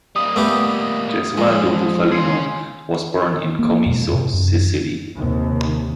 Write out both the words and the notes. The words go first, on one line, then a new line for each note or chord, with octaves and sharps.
Gesualdo Bufalino was born in Comiso, Sicily.
G3 A#3 D#6
A3 B3 G4
F2 F3 G#3
C#3 G#4 C6
A#3
F2 B2 G#3
G#2 C3
F#2
D#2 C3